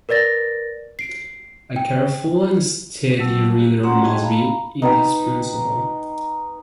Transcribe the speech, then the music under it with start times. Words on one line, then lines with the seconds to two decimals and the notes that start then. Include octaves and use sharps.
A careful and steady reader must be indispensable.
0.09 A#4 B4 D5 A6 A#6
0.99 C7 D7
1.76 G5
3.19 F#3 G3 A5 E6
3.59 A#3 F#4 G4
3.83 G3 A#3 C#4 F#5 A#5 C6
4.03 F#4 G#4 D#5 G5 A5
4.22 F5 A#5 B5
4.82 D#4 B4 G5